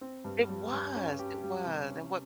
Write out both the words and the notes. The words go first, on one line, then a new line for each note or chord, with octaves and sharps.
It was! It was, and what
C4
G2
G3
G2
C#4
G4
G3
C3
C#4